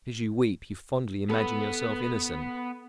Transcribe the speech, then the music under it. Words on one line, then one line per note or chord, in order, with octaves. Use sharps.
Because you weep, you fondly imagine yourself innocent?
B3 A4 B4